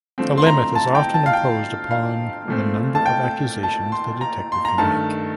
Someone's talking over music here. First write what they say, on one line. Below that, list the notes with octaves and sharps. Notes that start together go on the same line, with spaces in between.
A limit is often imposed upon the number of accusations the detective can make.
D3 F3 A3 C4
C6
A#5
A5
G5
A5
F5
G5
F5
A#2 A3 C4
A5
G5
A5
C6
A#5
C6
A#5
G2 D#3 A3 A5